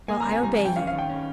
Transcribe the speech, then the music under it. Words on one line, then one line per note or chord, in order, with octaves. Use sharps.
"Well, I obey you."
A#3 G#5
A#5
C3
G#5
G3 A#5
G#5
F2
G5
C#4 F5
F5
D#3
G5
C#4